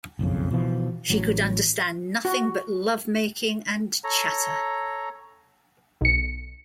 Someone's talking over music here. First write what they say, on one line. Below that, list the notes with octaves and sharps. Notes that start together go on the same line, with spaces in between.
She could understand nothing but love-making and chatter.
F#1 B1 F2 C#3
B2 E3 F3
A1 F#3
F#4
A4 C#5 A#5
B1 C#7